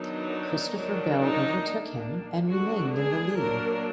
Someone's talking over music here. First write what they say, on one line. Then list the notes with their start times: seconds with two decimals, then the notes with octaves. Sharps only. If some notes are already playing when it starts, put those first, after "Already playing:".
Christopher Bell overtook him and remained in the lead.
Already playing: D#3 F#3 B3 D4 D#4
0.76 D#3 F#3 D4
1.19 D#4
1.63 D#3 A#3 D4
2.50 D3 G#3 B3 D4 F#4
2.94 G#4
3.37 F#3 A#3 D4 A#4